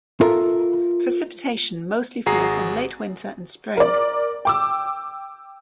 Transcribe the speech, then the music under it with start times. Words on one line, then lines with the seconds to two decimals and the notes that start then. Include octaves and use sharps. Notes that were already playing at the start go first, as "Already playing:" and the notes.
Precipitation mostly falls in late winter and spring.
0.21 F4 A4 A#4 E5
2.26 G#1 F#4 G#4 A#5 C7
3.77 A#4 D5
4.45 G5 D6 E6